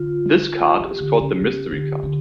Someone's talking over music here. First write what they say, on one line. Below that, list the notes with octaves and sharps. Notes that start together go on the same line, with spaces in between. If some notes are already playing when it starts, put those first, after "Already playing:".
This card is called the mystery card.
Already playing: D3 F4
E3 G4
D3
C#3
C#3
D3
D3